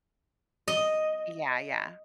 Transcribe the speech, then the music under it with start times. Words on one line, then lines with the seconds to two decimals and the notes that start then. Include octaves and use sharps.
Yeah, yeah.
0.68 D#5